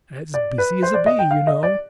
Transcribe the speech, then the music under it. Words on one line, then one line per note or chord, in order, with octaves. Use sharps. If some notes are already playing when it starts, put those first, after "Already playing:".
'As busy as a bee,' you know.
D5
B4
C5
D5
D#5
G5
F5
D#5
D5